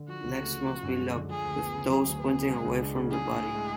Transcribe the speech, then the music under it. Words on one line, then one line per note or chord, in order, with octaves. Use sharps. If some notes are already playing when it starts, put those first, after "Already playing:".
Legs must be locked, with toes pointing away from the body.
Already playing: D3
F3 F#4
C#2
A3
C#3
F3
F#2
G#3
D3
F3 G#4
D2
B3
C#3
F#3 G#4
D2
B3
C#3
G#3
C#2
D4
C#3
D4 G#4
A2
A2
G#3